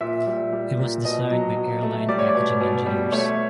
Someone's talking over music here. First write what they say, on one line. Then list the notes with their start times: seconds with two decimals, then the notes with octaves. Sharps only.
It was designed by airline packaging engineers.
0.01 A#2 E5
0.27 G3
0.52 G3
0.79 A#2
1.05 B2 D#5
1.31 F#3
1.57 F#3
1.83 A3
2.08 G3 D5
2.19 C#5
2.29 D5
2.35 B2
2.60 B2
2.86 G3
3.12 A3 C#5